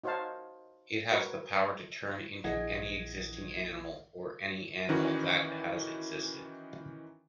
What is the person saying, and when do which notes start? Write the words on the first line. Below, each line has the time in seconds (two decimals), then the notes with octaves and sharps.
It has the power to turn into any existing animal or any animal that has existed.
0.04 D#4 F#4 C5 C#5 F5 A5
1.11 F#4 A#4 B4 C#5
2.44 A#1 E3 G#4 D#5 F#5 G#6
4.89 D#3 E3 C#4 D#4 F#4